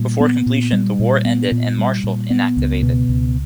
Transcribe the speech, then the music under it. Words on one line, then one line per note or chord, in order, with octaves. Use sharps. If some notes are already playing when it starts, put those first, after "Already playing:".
Before completion, the war ended and "Marshall" inactivated.
Already playing: A#2 G3
B3
A#2
G3
A#2
B3
A#2
G3
A#2
B3
C#2
B2
C#2